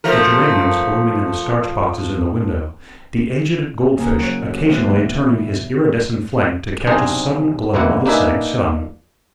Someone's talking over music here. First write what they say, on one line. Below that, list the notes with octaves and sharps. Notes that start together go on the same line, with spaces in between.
The geraniums blooming in the starch boxes in the window, the aged goldfish occasionally turning his iridescent flank to catch a sudden glow of the setting sun.
F3 A3 A#4
C#3 A#3 G#4 G#5 A#5
F#3 C#5
D2 B2
E3
B1 C3 D4 G#4 C5 A#5
A1 D2 B2 A#3 E4 F#5
A#3 D4 D#4 B4 E5 G#5